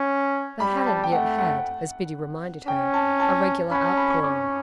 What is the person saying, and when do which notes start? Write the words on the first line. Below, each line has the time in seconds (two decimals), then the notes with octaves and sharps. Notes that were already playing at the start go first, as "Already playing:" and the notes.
They hadn't yet had, as Biddy reminded her, a regular outpouring.
Already playing: C#4
0.60 G3 B5
0.86 A5
1.04 G5
1.12 A3 F#5
1.38 F#5
2.67 C#4 G5
2.94 A5
3.20 A5
3.71 C#4 B5
3.84 A5
3.97 B5
4.10 C#6
4.22 C#4 D6